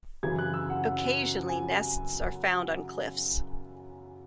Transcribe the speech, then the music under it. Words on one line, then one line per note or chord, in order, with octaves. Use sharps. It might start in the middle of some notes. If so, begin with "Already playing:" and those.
Occasionally, nests are found on cliffs.
F#2 C#3 E3 G#6
F#6
E6
F#5
G#5